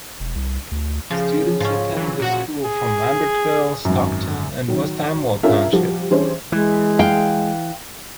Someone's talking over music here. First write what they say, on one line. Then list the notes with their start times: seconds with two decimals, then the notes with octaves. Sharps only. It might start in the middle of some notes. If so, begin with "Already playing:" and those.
Students attend the school from Lambertville, Stockton and West Amwell Township.
0.20 E1
0.35 C2
0.72 D2
1.10 C#3 F3
1.60 G#2 F3 C#4
1.97 E3 F#3
2.20 A#2 F#4 F#5
2.64 G#4
3.85 G#1 F#2
4.68 D#3 F#3
5.43 C#4 D4 F4 G#4 A#4 E5
5.73 F3 G3 F#4 G4
6.11 E3 G3 C#4 D4 G#4 C5
6.52 E3 G#3
6.99 F5 G5